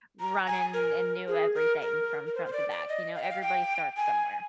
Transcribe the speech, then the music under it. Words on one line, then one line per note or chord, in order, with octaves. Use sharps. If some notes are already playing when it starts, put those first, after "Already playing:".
running and knew everything from front to back, you know? Everybody starts somewhere.
A#5
G#5
A#4
G#4
A#4
A#4
A#4
C5
C5
D5
D5
D#5
F5
G5
F5
G5
G#5